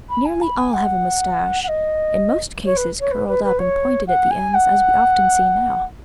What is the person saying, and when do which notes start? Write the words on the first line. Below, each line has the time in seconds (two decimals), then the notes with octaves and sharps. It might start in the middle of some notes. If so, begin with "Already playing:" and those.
Nearly all have a mustache, in most cases curled up and pointed at the ends as we often see now.
0.09 B5
0.25 G#5
0.41 B5
0.57 G#5
0.73 F#5
1.63 F#5
1.68 D#5
2.64 C#5
2.76 B4
3.00 C#5
3.11 B4
3.28 B4
3.44 B4
3.59 C#5
4.07 F#5
4.30 G#5
4.54 F#5